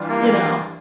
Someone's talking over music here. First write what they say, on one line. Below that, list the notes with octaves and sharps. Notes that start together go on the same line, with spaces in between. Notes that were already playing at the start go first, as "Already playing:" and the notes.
you know,
Already playing: E3 G3 D4 F4
A#3